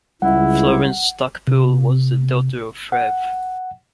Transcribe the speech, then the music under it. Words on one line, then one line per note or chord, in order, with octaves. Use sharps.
Florence Stacpoole was the daughter of Rev.
C#2 G3 E4 E5 F#5
C3
F#5